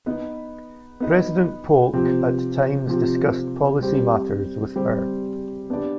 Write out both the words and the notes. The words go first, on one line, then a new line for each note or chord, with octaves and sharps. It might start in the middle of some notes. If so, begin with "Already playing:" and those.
President Polk at times discussed policy matters with her.
B3 D#4 B4
B3 D#4 B4
C3 F3 C4 G4
C3 F3 C4 G4
G3 C4 G4 C5
G3 C4 G4 C5
B3 D4 G4 D5